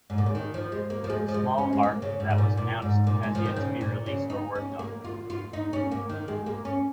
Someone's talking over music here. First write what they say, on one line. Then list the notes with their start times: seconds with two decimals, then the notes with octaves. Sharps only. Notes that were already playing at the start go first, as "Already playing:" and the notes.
Small arc that was announced has yet to be released or worked on.
0.10 G#2
0.18 A#2
0.26 C#3
0.35 D#3
0.54 F3
0.72 G#3
0.90 A#3
1.04 F3
1.10 G#3
1.28 F3
1.34 G#3
1.58 C#4
1.73 G#3
1.83 A#3
2.02 C#3
2.20 G#2
2.31 G#2
2.38 A#2
2.57 A#2
2.82 G#2
3.07 A#2
3.23 G#3
3.35 F3
3.46 D#3
3.56 C#3
3.81 A#2
4.06 C#3
4.30 D#4
4.55 C#4
4.79 A#3
5.04 F4
5.30 F4
5.53 D#4
5.73 C#4
5.92 A#3
6.09 D#3
6.28 G#3
6.46 A#3
6.65 C#4